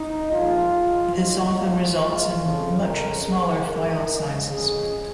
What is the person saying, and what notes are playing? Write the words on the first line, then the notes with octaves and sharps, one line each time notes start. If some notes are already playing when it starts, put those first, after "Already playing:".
This often results in much smaller file sizes.
Already playing: D#4
A#2 F3 G#3 F4
G#2 F3 G#3
F2 C#3 F3 G#3 D#4
G#2 F3 G#3 F4
A#2 G#3
F2 C#3 F3
F2 C#3 G#3 A#4
G#2 G#3 G#4
G#2 D#3 G#3 A#4
F2 C#3 G#3
F2 C#3 G#3 G#4